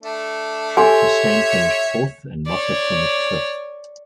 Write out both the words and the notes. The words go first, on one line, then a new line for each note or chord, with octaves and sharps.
Chastain finished fourth and Moffitt finished fifth.
A3 D4
G4 A4 C#5 E5 G#5 C6
C#5 D5